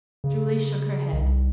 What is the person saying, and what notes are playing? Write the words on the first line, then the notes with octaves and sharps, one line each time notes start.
Julie shook her head.
C#3
C2